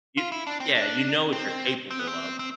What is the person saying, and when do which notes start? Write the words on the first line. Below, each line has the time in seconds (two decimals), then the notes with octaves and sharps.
You yeah, you know what you're capable of.
0.17 F4
0.32 E4
0.47 D4
0.60 C4
0.75 D4
1.33 C4
1.91 C4
1.99 B3
2.07 C4
2.39 C4